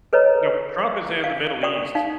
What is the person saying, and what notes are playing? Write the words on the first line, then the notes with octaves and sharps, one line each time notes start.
You know, Trump is in the Middle East.
A4 B4 C#5 D#5 A#5
F5
F#4 D5 G5 C#6 D#6
D#4 F5